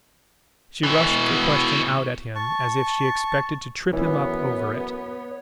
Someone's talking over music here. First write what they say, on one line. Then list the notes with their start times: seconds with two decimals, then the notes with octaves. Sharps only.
She rushed the question out at him as if she expected to trip him up over it.
0.83 B2 E3
2.35 A5 C#6
3.93 F#2 E3 B3 C#5